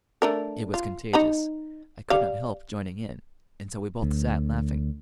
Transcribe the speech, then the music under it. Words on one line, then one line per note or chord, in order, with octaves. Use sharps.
It was contagious; I could not help joining in, and so we both sat laughing.
A3 D4 A#4
F4
D#4 A#5 B5
G3 F5
D2